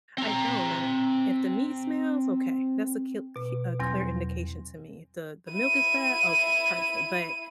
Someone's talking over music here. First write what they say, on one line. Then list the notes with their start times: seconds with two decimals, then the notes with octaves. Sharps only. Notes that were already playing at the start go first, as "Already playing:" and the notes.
I don't now, if the meat smells? Okay, that's a c cl a clear indication to me. The the milk is bad? Okay, perfect, but
0.18 C4 A#5
3.36 B2
3.80 E2 F#3 C4 A#6
5.53 E4 D#7